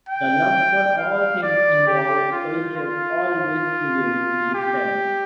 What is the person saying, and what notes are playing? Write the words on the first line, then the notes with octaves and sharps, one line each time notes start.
The love for all things involving culture always prevailed in his family.
G5
F5
D5
G4
F4
F4
G4